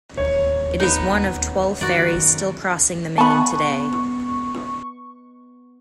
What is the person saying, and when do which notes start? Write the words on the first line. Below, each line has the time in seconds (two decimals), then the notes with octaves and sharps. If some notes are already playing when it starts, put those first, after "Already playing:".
It is one of twelve ferries still crossing the Main today.
0.17 D1 D#2 C#5
0.80 B3 D#4
1.81 F#2 D#3 F#4 D5
3.18 B3 D#5 F#5 A5 B5 C#6